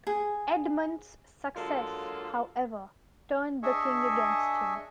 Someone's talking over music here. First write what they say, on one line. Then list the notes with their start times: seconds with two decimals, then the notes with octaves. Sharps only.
Edmund's success, however, turned the king against him.
0.07 G#4
1.55 D3 F#3 G#3 A#3 F4 A4
3.63 D4 G#4 D#5 E5 G#5 C#6